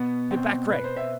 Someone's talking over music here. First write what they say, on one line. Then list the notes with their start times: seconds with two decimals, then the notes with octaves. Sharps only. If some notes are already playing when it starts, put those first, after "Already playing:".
Get back, Gregg!
Already playing: B2 B3
0.31 B2 C4
0.70 B2 B4
0.84 C5
0.96 E5